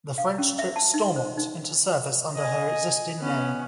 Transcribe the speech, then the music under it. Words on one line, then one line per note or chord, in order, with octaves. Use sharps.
The French took "Stormont" into service under her existing name.
F5
C#4
E5
A5
D#4
C5
D#4
D#5 G#5
B3 C#4